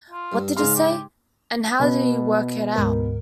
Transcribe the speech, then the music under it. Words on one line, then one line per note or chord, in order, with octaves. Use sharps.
What did he say, and how did he work it out?
F4
G2
G#2 C#3 D#4 G#4 F5 C6
G4
B2 B3
D2 G#2 A#4